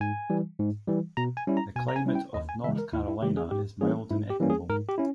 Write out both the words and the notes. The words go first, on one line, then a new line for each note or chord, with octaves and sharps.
The climate of North Carolina is mild and equable.
G#2 G#5
E3 G3
G#2
E3 G3
B2 A#5
G#5
G3 C#4 E4
A#5
B2 G#5
A#5
G#5
G3 C#4 E4
G5
D#2 D#5
G#5
C#3 E3 G#3 E5
A#4
D#2 E4
E4
C#3 E3 G#3 G4
G#4
G#2 G4
E3 G3 A#3 C#4 G#4
G#2 E4
G4
E3 G3 A#3 C#4
G#4
G#2 A#4
G4
C#4 E4